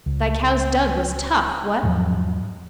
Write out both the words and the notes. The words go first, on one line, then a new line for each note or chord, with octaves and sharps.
Thy cow's dug was tough, what?
C#2
E2 G#2 F3 F#3